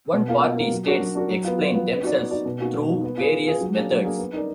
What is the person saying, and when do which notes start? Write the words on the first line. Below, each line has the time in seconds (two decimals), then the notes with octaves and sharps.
One-party states explain themselves through various methods.
0.13 B2
0.28 A#3 F4 A#4
0.43 B2
0.57 A#3 F4 A#4
0.71 F#3
0.86 D4 F#4 A#4
1.00 F#3
1.15 D4 F#4 A#4
1.29 F#3
1.44 B3 F4
1.58 F#3
1.74 B3 F4
1.88 B3
2.03 D#4 F#4 D5
2.17 B3
2.31 D#4 F#4 D5
2.46 B2
2.60 A#3 D#4 F#4
2.75 B2
2.89 A#3 D#4 F#4
3.04 B3
3.17 F4 G#4 B4
3.32 B3
3.47 F4 G#4 B4
3.61 F#3
3.76 A#3 D4 G#4
3.90 F#3
4.04 A#3 D4 G#4
4.19 B3
4.33 D#4 A#4 D5